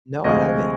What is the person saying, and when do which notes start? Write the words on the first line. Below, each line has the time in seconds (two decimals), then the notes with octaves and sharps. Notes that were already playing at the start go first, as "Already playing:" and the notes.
No, I haven't.
0.24 D2 C3 F3 G#3 D#5